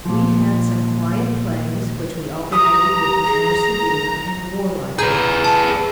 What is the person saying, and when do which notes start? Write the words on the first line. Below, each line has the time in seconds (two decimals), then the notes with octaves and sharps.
We had some quiet plays which we alternated with the more severe and warlike ones.
0.05 A#2 F3
2.52 G4 A#5 D#6
3.26 G#4
4.99 G#4 B4 A#5 G6
5.44 A5